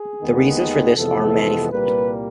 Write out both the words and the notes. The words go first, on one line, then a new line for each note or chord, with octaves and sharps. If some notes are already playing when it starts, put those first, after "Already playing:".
The reasons for this are manifold.
Already playing: G#4
D#2 D#3 G#3 B3
F2 C3 E3 G#3 B3 A4
C2 A#2 G3 A#3 B4